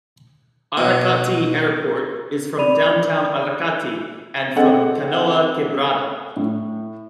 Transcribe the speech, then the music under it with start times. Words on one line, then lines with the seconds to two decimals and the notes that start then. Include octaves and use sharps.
Aracati Airport is from downtown Aracati and from Canoa Quebrada.
0.77 B2
2.58 D5 B5 D#7 F7
4.56 C4 G#4 A4 D#5 F#5
6.36 A2